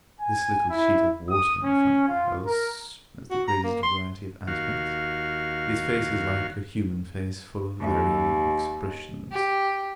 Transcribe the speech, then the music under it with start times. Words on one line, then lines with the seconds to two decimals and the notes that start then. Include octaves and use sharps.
This little sheet of water in front of the house has the greatest variety of aspects; its face is like a human face, full of varying expressions.
0.21 G#5
0.70 E4
1.28 D#6
1.62 C#4
2.08 F4
2.46 A#4
3.31 F#4
3.48 A#5
3.64 A#3
3.83 C6
4.47 D#2 F#4 F5
7.80 D#2
9.32 G4